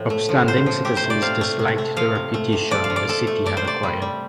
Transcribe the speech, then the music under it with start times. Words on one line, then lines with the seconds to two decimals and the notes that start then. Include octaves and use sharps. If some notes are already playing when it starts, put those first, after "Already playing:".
Upstanding citizens disliked the reputation the city had acquired.
Already playing: A2 F3
0.10 A3
0.29 F3
0.48 A2 C5
0.66 F3
0.85 A3 G4
0.97 C5
1.03 C3
1.10 D5
1.22 C3 F5
1.41 A3
1.59 C3
1.78 A3
1.97 F3 F5
2.15 C3
2.34 A3
2.52 C3
2.71 F3 D5
2.84 F5
2.90 F3
2.96 D5
3.08 F3 A4
3.27 A3
3.46 A3 D5
3.57 C5
3.64 C3 D5
3.83 G3
4.02 G3